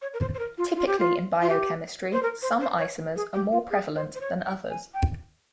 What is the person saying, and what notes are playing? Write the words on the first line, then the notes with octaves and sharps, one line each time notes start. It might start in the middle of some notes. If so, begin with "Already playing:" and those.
Typically in biochemistry, some isomers are more prevalent than others.
C#5
A#4
C5
C5
A#4
F4
F4
G4
F4
F4
G4
C5
A#4
C5
C5
C#5
G#4
G4
F4
G#4
C5
C5
C#5
G5
G#5
G5